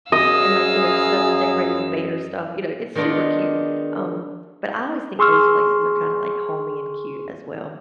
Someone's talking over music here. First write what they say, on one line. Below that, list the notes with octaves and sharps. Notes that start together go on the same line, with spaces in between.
and like, you know, stuff is decorated with bear stuff, you know, it's super cute, um, but I always think those places are kind of, like, homey and cute as well.
F#2 G#4 D#5 F5 E6
D#3 G#3 B3 D4 F4
G#4 C6 C#6 E6 F6